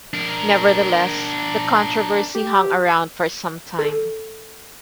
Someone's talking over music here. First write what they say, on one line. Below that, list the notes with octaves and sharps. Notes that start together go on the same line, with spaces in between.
Nevertheless, the controversy hung around for some time.
D4 A#4
G4
A4